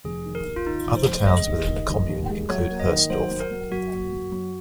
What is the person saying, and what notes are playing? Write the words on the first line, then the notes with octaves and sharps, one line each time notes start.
Other towns within the commune include Hoesdorf.
F1 G#4
D#3
A#4
D#2
F4
D#3 D#4
F1
C5
F1
G#3 D#5
D#2
D#3
F1
D#2
G#3
F#3 C#5
A#3
D#5
D#3
F#3 C5
F#3
A#4
F#3
F#2 F#4
A#3
F#2
F#3